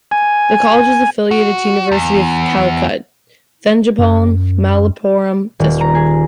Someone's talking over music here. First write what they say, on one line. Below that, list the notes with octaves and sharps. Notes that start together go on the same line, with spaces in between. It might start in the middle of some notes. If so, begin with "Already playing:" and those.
This college is affiliated to University of Calicut, Thenjipalam, Malappuram District.
G#5
F#4
E2
F#2
D#1
A#5
G#4